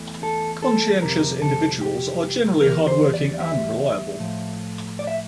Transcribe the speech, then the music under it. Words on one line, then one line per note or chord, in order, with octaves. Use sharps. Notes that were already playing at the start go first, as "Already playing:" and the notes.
Conscientious individuals are generally hard-working and reliable.
Already playing: E2 E3 A3
A4
A4
F2 C3 G3 A#4
A4
G4
E2 E3 G3 A#4
C5
D5
E5
A2 F3 A3
D5
E5